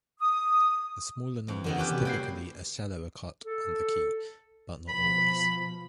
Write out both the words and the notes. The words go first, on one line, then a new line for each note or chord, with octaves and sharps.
A smaller number is typically a shallower cut on the key, but not always.
D#6
F2 E3
D3 D#3 B3
C#4 G4 B4
C3 C4 F#4
G3 A#3 E4 G6 C7
A4
B2 F3 B5